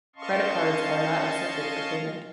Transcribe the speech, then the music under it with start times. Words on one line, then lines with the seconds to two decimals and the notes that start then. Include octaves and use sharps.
Credit cards are not accepted for payment.
0.16 C#4 D#5 F5 A5 C6 C#6